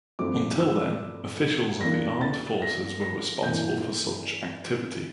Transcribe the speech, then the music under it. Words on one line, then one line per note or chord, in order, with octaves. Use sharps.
Until then, officials of the Armed Forces were responsible for such activity.
G2 F3 A3 C4 D6
E6
E2 E3 A#3 D4 A#6
A6
A#6
A#6
G2 E3 A#3 E4 G6